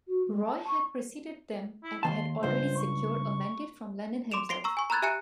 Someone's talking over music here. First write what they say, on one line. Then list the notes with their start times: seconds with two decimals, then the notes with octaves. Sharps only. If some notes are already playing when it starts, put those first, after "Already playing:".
Roy had preceded them and had already secured a mandate from Lenin himself.
0.08 F#4
0.28 G#3
0.45 A5
0.67 C#6
1.84 E4
2.03 D#2 E3 A5 C6
2.43 C#2 G2 C5
2.77 C#6
4.32 C6 D6 D7 E7 F7
4.49 C6 A#6 C7 D7 G7
4.64 A#5 C#6 E6
4.77 G#5 C#6
4.90 A#5 B5 E6 F#6 G#6 A6
5.02 G4 E5 G#5 A#5 F#6 C#7